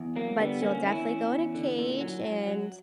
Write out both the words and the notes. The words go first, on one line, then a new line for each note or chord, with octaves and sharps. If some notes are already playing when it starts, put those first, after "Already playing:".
but you'll definitely go in a cage, and
Already playing: E2
F#3 A#3
D3 G3 B3
E2 A#3 C#4
E2 C#4 E4
E2
E2
D3
A#2
F#3
F#3
F#3